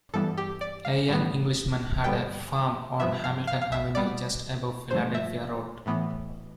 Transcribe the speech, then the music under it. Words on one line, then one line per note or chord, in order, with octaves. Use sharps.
A young Englishman had a farm on Hamilton Avenue just above Philadelphia Road.
G2 E3 G3 B3 A4
G4
D5
F5
A2 G3 B3
G2 D3 G3 B3 G5
G2 F3 B3 E5
F5
F5
F5
E5
B2 G3 B3 D5
G2 D3 F3 A3 C5
E5
A2 E3 B3